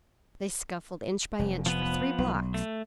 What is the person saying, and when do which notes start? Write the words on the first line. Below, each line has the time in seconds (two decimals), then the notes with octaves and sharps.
They scuffled inch by inch for three blocks.
1.39 F1
1.66 F3 B3 B4
2.18 B1
2.54 A3